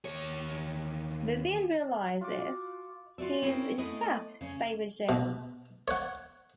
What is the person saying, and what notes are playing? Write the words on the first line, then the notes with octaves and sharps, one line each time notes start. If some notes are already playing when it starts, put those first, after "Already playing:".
Vivian realizes he is in fact Faber John.
D#2 C#5
F4 F#4 D6
F4 F#4 A#4 B4 D5 E5
C4 C#4 E4 F#4 G#4 A#4
G#3 A3 B3 E4 D#5
C#3 C#4
B2
C#5 F#5